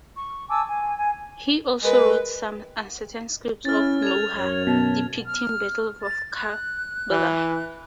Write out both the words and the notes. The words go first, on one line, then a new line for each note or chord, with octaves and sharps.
He also wrote some uncertain scripts of noha depicting battle of Karbala.
C#6
G#5 A5 D6 E6
G#5
G#5
G#3 A#4 B4
C#4 E4 F6 A6
A4 G#6 F7
F#2 C#5
B2 A5
F6
A6
F#6
E3